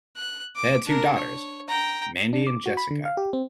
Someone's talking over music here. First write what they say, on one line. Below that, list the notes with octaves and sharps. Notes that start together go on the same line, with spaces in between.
They had two daughters, Mandy and Jessica.
F#6
D6
D4 A#4
C#5
G5 A#5
D4
D6
F#4
B5
D3
F5
G4
C4